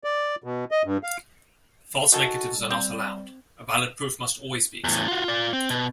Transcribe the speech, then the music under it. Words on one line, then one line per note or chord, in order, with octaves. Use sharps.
False negatives are not allowed: a valid proof must always be accepted.
D5
B2
D#5
G2
F5
D#3 F#4 A4 G#5
G3
C4
E2 A2
F4 F#4
F4 D5
C4
B2